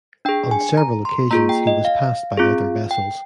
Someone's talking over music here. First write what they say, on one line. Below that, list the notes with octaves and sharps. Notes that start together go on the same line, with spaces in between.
On several occasions he was passed by other vessels.
D4 G#4 G5
G#5
A#5
C6
A#3 F4 G#4 A#5
G5
D#5
F5
C4 F4 G#4
G5